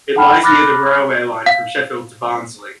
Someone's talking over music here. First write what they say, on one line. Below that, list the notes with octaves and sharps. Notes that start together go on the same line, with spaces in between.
It lies near the railway line from Sheffield to Barnsley.
A4 F#5 G5 A5 B5 F6
B5 D6 F6 F#6 A6 A#6
F5